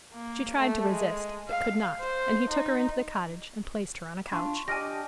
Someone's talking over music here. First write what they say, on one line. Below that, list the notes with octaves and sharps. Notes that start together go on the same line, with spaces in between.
She tried to resist, but could not, and he took her into the cottage and placed her on a couch.
A#3
A3
G#3
F5
C5
D#4
D4 F4 C#6
D4 G4 D#5 G#5 D6 F6 A#6